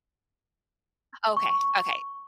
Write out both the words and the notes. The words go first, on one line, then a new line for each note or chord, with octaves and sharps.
Okay, okay.
C#6